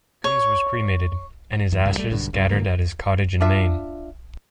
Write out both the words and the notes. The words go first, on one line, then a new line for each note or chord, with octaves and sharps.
Coombs was cremated and his ashes scattered at his cottage in Maine.
C#5
E2
C2 G2
G3 A3
B1 G2 D3
C2 F#2
A2 D3 F#3 A#3
D4 F4 E5